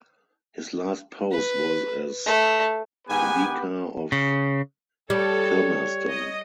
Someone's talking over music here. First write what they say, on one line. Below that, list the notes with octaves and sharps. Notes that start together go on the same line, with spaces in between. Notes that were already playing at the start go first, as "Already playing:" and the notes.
His last post was as Vicar of Kilmersdon.
B4
A3
G#2 D#3 B3 G4 B4 G#5
C#3
G3 A4 C#5
D#5